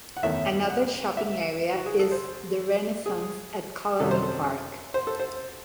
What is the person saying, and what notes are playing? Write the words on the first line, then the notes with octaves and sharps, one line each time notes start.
Another shopping area is the Renaissance at Colony Park.
F#5
E2 D#3 A3 C#4 E4 E5
F#5
E5
F#4
G#4
A4
C5
G#4
C3 D#3 F#3 C#4 A4
C5
A4
C5
A4
C5